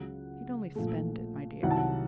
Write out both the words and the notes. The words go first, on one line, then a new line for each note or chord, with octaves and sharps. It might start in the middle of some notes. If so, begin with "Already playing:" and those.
"He'd only spend it, my dear."
Already playing: C#2 C#3 F#3 F#5
A#1 A#2 A3
C2 C3 D#3 F#3 F#5
A5
F#5